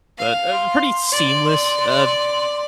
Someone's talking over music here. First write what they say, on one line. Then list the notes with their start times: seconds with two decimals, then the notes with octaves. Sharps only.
But, um, pretty seamless, um,
0.18 F5
0.53 C6
1.12 D5